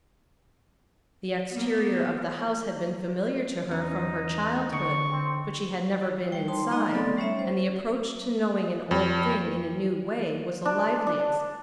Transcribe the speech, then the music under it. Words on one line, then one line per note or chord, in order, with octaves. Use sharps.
The exterior of the house had been familiar to her from her childhood, but she had never been inside, and the approach to knowing an old thing in a new way was a lively experience.
A#3 B3
E2 C#4 D#4
D3 C#6
C4
G3 G5
D#4 A5 C6
G#3 D#4 D#5 A#5
F#3 A3 B3 C4 A4 D5
G3 C#4 C#5 E5
C5
F2
D4
D4